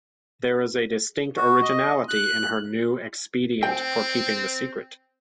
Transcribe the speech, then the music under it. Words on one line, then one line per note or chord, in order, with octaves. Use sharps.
There is a distinct originality in her new expedient for keeping the secret.
F#4
D#5
F#6
C4 G5